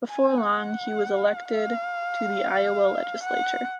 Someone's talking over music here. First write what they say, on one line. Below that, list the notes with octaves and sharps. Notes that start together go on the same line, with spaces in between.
Before long, he was elected to the Iowa Legislature.
G#5
F#5
F5
F#5